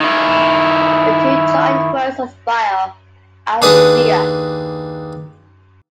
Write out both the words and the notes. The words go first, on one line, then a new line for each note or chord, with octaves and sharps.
The two joined words are "bio" and "sphere".
D#3 E4
D#2 D4 G#4 B4 D#6